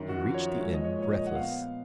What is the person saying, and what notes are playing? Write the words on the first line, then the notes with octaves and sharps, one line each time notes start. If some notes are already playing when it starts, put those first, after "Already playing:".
He reached the inn, breathless.
Already playing: F#2 D#3
F#4
F3
C#5
G#3 C#5
D#5
C#5
A#2 C#5
D#5
F#5
B3 F5